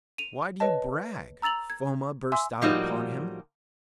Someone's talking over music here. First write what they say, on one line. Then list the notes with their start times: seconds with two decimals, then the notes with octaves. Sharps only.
"Why do you brag?" Foma, bursts out upon him.
0.18 D#7 F7
0.60 B4 C#5 D#5 A5
1.42 A#5 E6 A6 F7 F#7
1.70 G#6
2.32 E5 G#5 C6 D6 E6
2.61 A2 F3 G3 A#3 D#4 F#4